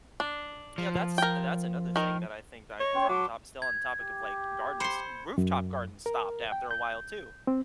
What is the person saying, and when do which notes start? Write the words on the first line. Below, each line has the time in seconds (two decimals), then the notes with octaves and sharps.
Yeah, that's that's another thing that I think I 'cause on the topi still on the topic of like gardens, rooftop gardens stopped after a while too,
0.20 D4
0.78 F3
1.18 A#4 G5
1.96 D#3 A#4
2.80 C#5 D#5
2.94 C#4 G5 C6
3.09 F#3 A5 C6 D6
3.62 G#6
4.01 G4
4.80 C5 B5 C6 C#7
5.38 F#2
6.06 A#4
6.52 G5
6.71 G6
7.47 C4